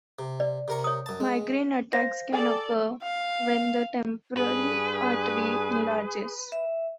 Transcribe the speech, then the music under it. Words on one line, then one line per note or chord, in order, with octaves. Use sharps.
Migraine attacks can occur when the temporal artery enlarges.
C3
D5
C3 A#4 C#6
C#5 D#6
F#2 A5
G#3
C5 F5 A#6
G#4 A4 D5 G5 G#5
F5
G2 G#4 B4
E5